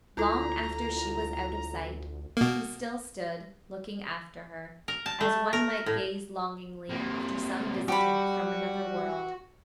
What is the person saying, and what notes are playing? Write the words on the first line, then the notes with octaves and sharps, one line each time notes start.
Long after she was out of sight he still stood looking after her, as one might gaze longingly after some visitant from another world.
D2 E4 F4 A4 A#5
B2 A#3
A#4
A5
A3
A#4
A2
C3 A#3
G3 F#4 G4 B5